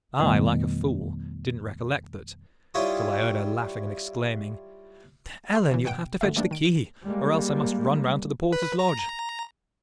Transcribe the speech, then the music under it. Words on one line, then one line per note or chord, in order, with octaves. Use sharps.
I, like a fool, didn't recollect that, till I heard her laughing and exclaiming--'Ellen! you'll have to fetch the key, or else I must run round to the porter's lodge.
F2 B2 D#3 G3 A3 B3
G3 E4 F4 G4 C#5 D#6
G#4 F5 C6
C#3 E3
B2 F#5 G5 D7
G#1 D3 A3 F#4 E5
E3 G3 A3 A#3 D4
D#3 D7
G3 G#3 A#3
B4
A#5